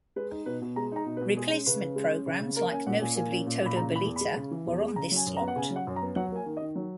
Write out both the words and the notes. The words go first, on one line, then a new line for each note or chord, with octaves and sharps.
Replacement programs like notably, "Todo Balita" were on this slot.
G#3 B4
D#4
B2 B4
B2
G#3 A#5
D#4 A#5
B2
B4
B2
G#3 G#4
C#4
C#3 B4
C#3
G#3
C#4
C#3
C#3
A#3 A#4
C#4 G#5
A#2 F#5
A#2 G#5
A#3 G#5
C#4
A#2
A#2
B5
C#3 A#5
E3 B5
E2
B5
G#3
C#3
E3
E2
G#3
C#3 A#5
F#3 G#5
F#2
A#5
B3
F#5
C#3 G#5
F#3
F#5
F#2
A#5
B3
F#3 F#5
A#3 G#5
D#3
D#5
D#3
F#3